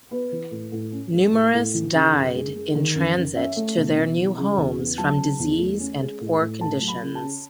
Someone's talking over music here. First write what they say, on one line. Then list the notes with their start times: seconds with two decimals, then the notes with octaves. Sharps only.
Numerous died in transit to their new homes from disease and poor conditions.
0.11 B3 B4
0.31 E3
0.51 A2
0.72 A2
0.92 C#4
1.12 G#3
1.32 A2
1.54 A2
1.74 E3
1.93 C#3
2.14 F#2
2.34 G#3
2.55 G#3
2.75 D#3
2.95 F#2
3.16 F#2
3.35 C#4 E5
3.56 A3
3.76 B2
3.97 B2
4.17 E3
4.37 C#3
4.57 E2
4.77 B3
4.98 F#3 A5
5.18 C#3
5.39 E2
5.59 A3
5.80 C#4
6.00 G#3
6.20 A2
6.40 A2
6.60 A3 A5
6.81 F#3
6.88 B5
7.02 C#3
7.15 A5
7.22 C#4